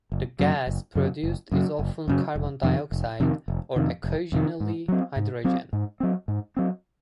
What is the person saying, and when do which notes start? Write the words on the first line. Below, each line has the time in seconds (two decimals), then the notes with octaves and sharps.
The gas produced is often carbon dioxide, or occasionally hydrogen.
0.12 F#1
0.39 F#2 C#3 F#3
0.67 F#1
0.95 F#2 C#3 F#3
1.24 F#1
1.52 F#2 C#3 F#3
1.79 F#1
2.08 F#2 C#3 F#3
2.36 F1
2.63 F2 C3 D#3
2.92 F1
3.20 F2 C3 D#3
3.48 F1
3.76 F2 C3 D#3
4.04 F1
4.32 F2 C3 D#3
4.60 G#2
4.88 F#3 C4
5.16 G#2
5.44 F#3 C4
5.73 G#2
6.00 F#3 C4
6.28 G#2
6.57 F#3 C4